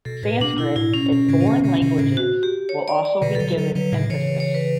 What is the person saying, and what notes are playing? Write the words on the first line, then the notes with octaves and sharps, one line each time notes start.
Sanskrit and foreign languages will also be given emphasis.
B2 A4
A2 B4
B2 D4
B2 E4
A2 E4
B2 C#4
B2
A2 C#3
E3
B2 D3
B2 D3
B2 D3
A2 C#3
F#4
G4
C#5
D5
D5
B2 D3 B4
D3 F#3 A4
A4
D3 F#3
D3 F#3 B4
A2 C#3
C#3 E3 C#5
C#5
C#5
B4